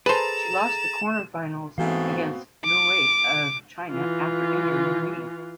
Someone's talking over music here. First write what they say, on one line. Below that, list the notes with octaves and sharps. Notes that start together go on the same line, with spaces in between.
She lost in the quarterfinals against Luo Wei of China after injuring her knee.
G#4 A4 B4 C5 A#5 A6 E7
G#2 E3 A3 B3 C4 F#4 F5
D6
E3 F4